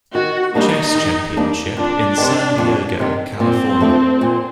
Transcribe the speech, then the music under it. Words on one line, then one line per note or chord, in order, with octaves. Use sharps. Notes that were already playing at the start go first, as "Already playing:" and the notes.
Chess Championship in San Diego, California.
D#3 F#4
G3 A#3 D4 D#4
D#3
G3 A#3 D4
F2 D4
C3 D#3
F2
C3 D#3
A#2 C4
F3 A3 D4
A#2